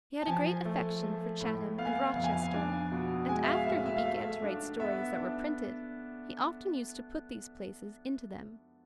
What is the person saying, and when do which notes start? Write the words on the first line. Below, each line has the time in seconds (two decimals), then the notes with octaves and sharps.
He had a great affection for Chatham and Rochester, and after he began to write stories that were printed, he often used to put these places into them.
0.22 A5
0.27 F3 G#5
0.65 A3
1.03 A3
1.40 A2
1.78 B3 F5
1.85 G#5
1.93 F5
2.16 F2 F5
2.24 G#5
2.33 F5
2.53 D4 G#5
2.92 B2
3.29 G#3 G#5
3.43 E5
3.48 F5
3.67 A2 E5
3.86 E5
3.97 F5
4.05 A3 E5
4.42 D4
4.79 B3 E5
5.18 D4